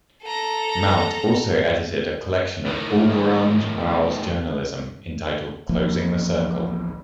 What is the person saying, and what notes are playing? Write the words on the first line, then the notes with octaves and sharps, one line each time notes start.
Mount also edited a collection of Auberon Waugh's journalism entitled "Closing the Circle".
A4 A#5
A2 D#3
A1 D2 F3 A#3